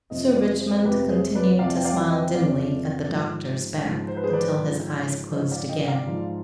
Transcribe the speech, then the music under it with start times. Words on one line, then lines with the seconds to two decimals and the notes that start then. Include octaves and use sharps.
Sir Richmond continued to smile dimly at the doctor's back until his eyes closed again.
0.10 F2 C3 F3 C5 D#5
0.35 B4 D5
0.60 G#4 C5
0.85 F2 C3 F3 G4 B4
1.02 B4
1.09 G#4 C5
1.35 B4 D5
1.59 F2 C3 F3 D5 F5
1.77 G5
1.84 D5 F5
2.09 D#5 G5
2.34 F2 C3 F3 D5 F5
3.09 G#2 F3
3.83 G#2 F3
4.08 C5
4.17 B4
4.24 G#4 C5
4.33 B4 D5
4.58 G#2 F3
5.32 G#2 F3 C5 D#5
5.52 D5 F5
5.69 D#5 G5
5.88 D5 F5
6.06 G#2 F3